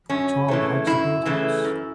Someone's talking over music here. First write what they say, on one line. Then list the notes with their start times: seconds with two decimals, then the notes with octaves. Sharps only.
A child hugs a birdhouse.
0.10 F#2 C#4
0.48 C#3 E3 A3
0.87 F#2 E4
1.26 C#3 E3 A3
1.64 F#2